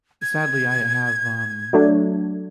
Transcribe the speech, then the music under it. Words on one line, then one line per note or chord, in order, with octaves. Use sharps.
sadly, I have, um
G#6
F#3 A3 D4